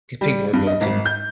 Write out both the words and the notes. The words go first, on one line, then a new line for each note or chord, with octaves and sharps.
These people are doing too much.
G3
G2
D#5
G#1
G6